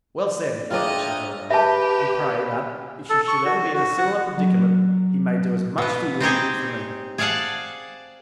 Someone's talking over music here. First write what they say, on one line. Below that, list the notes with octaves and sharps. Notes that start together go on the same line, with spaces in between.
"Well said," interrupted Chateau-Renaud; "and pray that, if you should ever be in a similar predicament, he may do as much for you as he did for me."
D4 F4 G#4 C#5 D#5 E5 G5 A#5
G4 B4 E5 A5
A4
C#6
F#4
F#4
F#5
F#3
B2 B3
C4 D#4 G4 G#4
G#4 D5 F5 F#5 A5